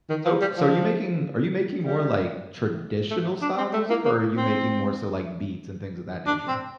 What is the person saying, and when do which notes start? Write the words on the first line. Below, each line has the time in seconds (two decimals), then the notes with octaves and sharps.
So so are you making are you making more, like, traditional-style music, or are you making more so, like, beats and things of that nature?
0.10 D#3
0.25 F3
0.41 G3
0.57 F3
1.83 G3
3.10 A3
3.42 D4
3.58 C4
3.73 A3
3.90 A#3
4.05 A#3
4.37 C4
6.27 D4
6.48 C4